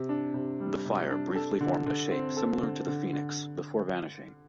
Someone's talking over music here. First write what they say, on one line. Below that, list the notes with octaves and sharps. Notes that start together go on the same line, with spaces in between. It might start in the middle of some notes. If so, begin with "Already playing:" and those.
The fire briefly formed a shape similar to the Phoenix before vanishing.
Already playing: C3
D4
C3
G3
C3
D4
A4
D3
D3
C4
A4
D3
D3
D3